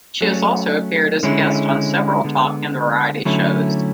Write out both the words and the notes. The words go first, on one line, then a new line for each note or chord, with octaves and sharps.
She has also appeared as a guest on several talk and variety shows.
F#3 A3 C#4
D3 G#3 C#4 E4
D3 G#3 B3
D3 F#3 A3 C#4 E4